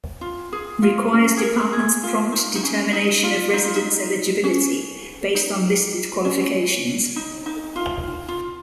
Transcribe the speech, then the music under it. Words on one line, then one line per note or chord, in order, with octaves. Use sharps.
Requires Department's prompt determination of residents' eligibility, based on listed qualifications.
F4
G#4
F4
C#4
G#4
A#4
G#4
F4
D#4
D#4
C#4
D#4
F4
D#4
F4
D#4
C#4
D#4
C#4
D#4
D#4
F4
F4